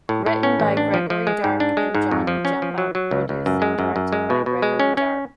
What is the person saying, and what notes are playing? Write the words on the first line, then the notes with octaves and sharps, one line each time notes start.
Written by Gregory Dark and Johnny Jump-Up; produced and directed by Gregory Dark.
A2
A2
C#4
A1
D4
F3
F3
G#3
G#2
D4
G#3
G#2
F2
F3
C#4
F3
F#3
F#3
C#2
C#2
F#2
G#3
F#2
F#2
G#3
B2
B2
G#3
C#4
C#4